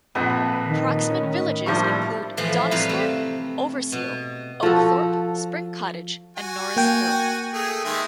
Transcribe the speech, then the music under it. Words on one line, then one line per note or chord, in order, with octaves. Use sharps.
Proximate villages include Donisthorpe, Overseal, Oakthorpe, Spring Cottage and Norris Hill.
A#1 F2 A#2 B4 F#5 A5
D#3
A2 C#4
F3 G3 A#3 D4 E4 C#6
A2 E3 F3
C3 G3 C4 B4 F5 A#5
A3
B2
F3 F#4 A4
F#4 G#5
A#3 G5
A3 G#4
D#3 G#3 E5